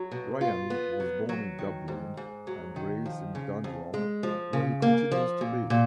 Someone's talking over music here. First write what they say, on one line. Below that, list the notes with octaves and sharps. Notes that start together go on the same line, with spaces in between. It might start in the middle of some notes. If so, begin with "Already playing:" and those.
Ryan was born in Dublin and raised in Dundrum where he continues to live.
Already playing: F#3
B2
F4
B3
F#3
F#3
D#3
G#2
G#2
F#3
D#3
F3
C#3
F2
G#3
F3
C#3
A#3
F3
A#2
A#2